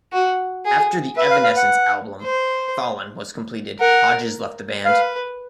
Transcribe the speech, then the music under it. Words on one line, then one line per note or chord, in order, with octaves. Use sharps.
After the Evanescence album "Fallen" was completed, Hodges left the band.
F#4
G#4
B4 E5
F5
F5
F#5
C5
A#4 F#5
B4 F5